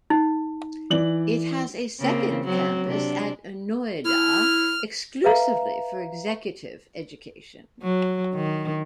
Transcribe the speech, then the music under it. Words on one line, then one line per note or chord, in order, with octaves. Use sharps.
It has a second campus at Noida exclusively for executive education.
D#4
E3 D5 F#7
C#3 A#3 C4
F#3 C4
C3 D4
E4 F6
B4 E5 F5 A#5
F#3
D#3